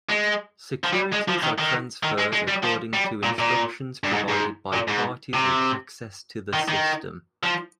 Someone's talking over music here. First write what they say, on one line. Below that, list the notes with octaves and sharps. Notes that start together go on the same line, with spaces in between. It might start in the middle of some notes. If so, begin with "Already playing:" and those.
Securities are transferred according to instructions provided by parties with access to the system.
G#3
F3
G3
G#3
F3
D#3
D#3
D#3
G#3
G#3
G3
F3
G3
A#2
A#2
G2
G#2
G#2
A#2
G#2
C3
D#3
D#3
F3